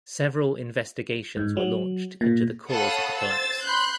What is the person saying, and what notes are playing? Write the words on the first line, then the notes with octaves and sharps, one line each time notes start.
Several investigations were launched into the cause of the collapse.
G#2
F#3
A#2
A4 C#5 F5 F#5 B5 D#6
C5 E6 A6
B5 C6 F#6 G6